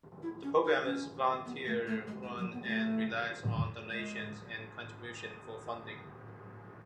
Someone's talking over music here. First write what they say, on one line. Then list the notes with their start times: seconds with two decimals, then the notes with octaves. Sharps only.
The program is volunteer-run and relies on donations and contributions for funding.
0.23 E4
0.43 C#4
0.64 D#4
0.84 C#4
1.46 B3
1.66 A3
1.87 A3
2.07 G#3
2.23 G#3
2.38 F#3
2.53 B3
2.63 G#3
2.68 A3
3.92 G#3